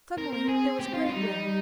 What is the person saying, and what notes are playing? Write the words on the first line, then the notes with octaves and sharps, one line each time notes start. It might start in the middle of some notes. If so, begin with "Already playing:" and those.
Suddenly there was a great wind.
C4 A#4
A#4
G#4
G4
F4
F4
G3 D#4